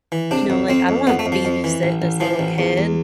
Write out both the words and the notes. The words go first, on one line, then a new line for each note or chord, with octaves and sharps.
you know, like, "I don't wanna babysit this little kid."
E3
C3 D4
F2
F2 C4
F2
F2 B3
A3
F2
F3
F2
E3
A1
A1
E3 F3
A1
E2
E2